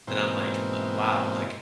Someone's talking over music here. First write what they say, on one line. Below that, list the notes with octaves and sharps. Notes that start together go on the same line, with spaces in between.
that I'm, like, uh, wow, like,
G#2 B2 E3 A#3 C4 C5